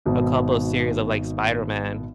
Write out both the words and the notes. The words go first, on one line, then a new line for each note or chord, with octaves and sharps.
a couple series of like Spider-Man.
G#1 B2 D#4